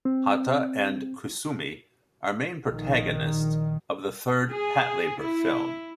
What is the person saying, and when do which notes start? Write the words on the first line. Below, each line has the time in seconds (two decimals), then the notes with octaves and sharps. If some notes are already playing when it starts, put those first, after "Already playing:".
Hata and Kusumi are main protagonists of the third Patlabor film.
0.05 C4
2.66 A#1 D#3
4.50 G#4
5.20 E4